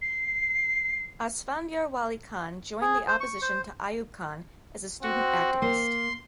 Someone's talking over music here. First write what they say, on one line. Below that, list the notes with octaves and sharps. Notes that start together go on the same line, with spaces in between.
Asfandyar Wali Khan joined the opposition to Ayub Khan as a student activist.
C7
G#4
C5
C#6
C5
C4 F#4
A#3 C6